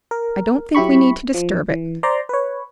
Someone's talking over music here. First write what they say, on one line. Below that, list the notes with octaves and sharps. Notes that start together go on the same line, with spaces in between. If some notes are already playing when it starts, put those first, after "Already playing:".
I don't think we need to disturb it.
A#4
F#3 E4 G4 B5 C#6
F3
E3
C5 D5 A#5 C6
B4 C#5